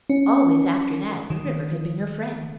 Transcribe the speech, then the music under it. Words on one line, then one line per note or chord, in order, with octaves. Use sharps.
Always after that the river had been her friend.
C#4
D#3